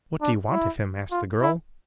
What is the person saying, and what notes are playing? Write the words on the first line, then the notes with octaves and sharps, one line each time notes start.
"What do you want of him?" asked the girl.
D4
E4
F4
E4